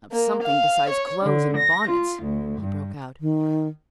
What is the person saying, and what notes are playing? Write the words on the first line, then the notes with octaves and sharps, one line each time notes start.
"Of something besides clothes and bonnets," he broke out.
A#3
F5
C#5
D3
A#6
F4
D2
G2
D#3